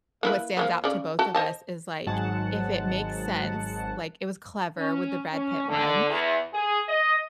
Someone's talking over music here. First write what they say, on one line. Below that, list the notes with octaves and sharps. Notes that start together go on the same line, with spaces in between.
what stands out to both of us is like, if it makes sense, like, it was clever with the Brad Pitt one,
A#3 E4 B4
F3 A#3 B3
C#3 D5
F#4 A5
C5 D#5 A5
G#1 G#2 F#3 G#3 F#5 A5
C#4
C#4
D3
E2
G#4
D#5